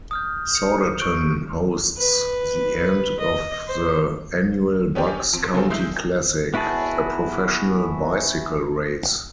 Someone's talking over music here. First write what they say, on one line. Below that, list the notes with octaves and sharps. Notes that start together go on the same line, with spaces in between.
Souderton hosts the end of the annual Bucks County Classic, a professional bicycle race.
D#6 F6 G6
C#7
C#6 G6 D7
B4
D#5
C5
B3 C#4 D4 G4
F2 D7
C#3 F#3 B3 C#4 A4 C5
G#3 E4 G6
B3 E4 F#4 G#4 A5